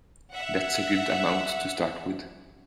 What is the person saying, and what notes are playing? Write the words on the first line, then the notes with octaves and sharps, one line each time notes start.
That's a good amount to start with.
E5 F#5